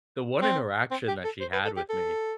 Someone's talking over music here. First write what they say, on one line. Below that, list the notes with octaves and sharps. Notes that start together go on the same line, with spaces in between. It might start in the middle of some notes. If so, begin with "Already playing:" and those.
the one interaction that she had with me
C4
C4
G4
A4
C5
B4
A4
G4
A4